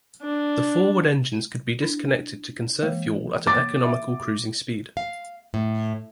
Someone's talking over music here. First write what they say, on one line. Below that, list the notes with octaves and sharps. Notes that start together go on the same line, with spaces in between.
The forward engines could be disconnected to conserve fuel at an economical cruising speed.
D4
D4 E4
E3 G#3 A#3
A#3 C#5 D6 A6
E5
F5
A2